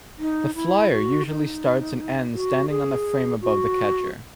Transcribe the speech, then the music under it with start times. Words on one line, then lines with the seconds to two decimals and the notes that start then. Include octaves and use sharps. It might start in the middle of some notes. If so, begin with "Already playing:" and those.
The flyer usually starts and ends standing on the frame above the catcher.
0.19 D#4
0.55 E4
0.91 F#4
1.27 D#4
2.33 F#4
2.70 G#4
3.41 F#4